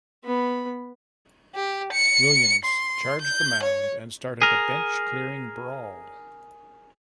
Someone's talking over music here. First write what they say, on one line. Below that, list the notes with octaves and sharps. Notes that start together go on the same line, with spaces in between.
Williams charged the mound and started a bench-clearing brawl.
B3 B5
G4
C#7
C6
G6
C#5
G#4 A#4